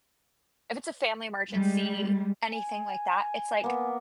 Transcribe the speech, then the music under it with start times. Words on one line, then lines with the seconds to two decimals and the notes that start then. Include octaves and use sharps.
If it's a family emergency, anything like that, it's, like
1.52 G3 G#3
2.52 G#5
3.64 A#3 B3